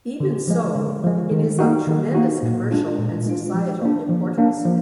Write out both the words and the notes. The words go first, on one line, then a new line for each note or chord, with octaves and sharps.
Even so, it is of tremendous commercial and societal importance.
D3
F3 G#3
D3
F3 G#3
D#3
A#3 D#4 F#4
D#3
A#3 D#4 F#4
A#2
G#3 D4 F4
A#2
G#3 D4 F4
F3
A#3 D4
F3
A#3 D4
F3